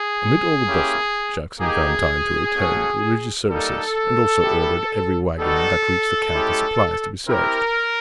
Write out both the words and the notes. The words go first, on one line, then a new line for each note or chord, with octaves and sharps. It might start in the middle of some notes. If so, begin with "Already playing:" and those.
Amid all the bustle Jackson found time to attend religious services, and also ordered every wagon that reached the camp with supplies to be searched.
Already playing: G#4
A#3 C#4 E4 G4
A#3 D#4 G4 G#4
A3 C#4 F#4
G3 A#3 D#4 A4
G3 B3 E4 G4
G3 B3 D#4 F#4 A4
G#3 C#4 E4 G4
C4 E4 G4 A#4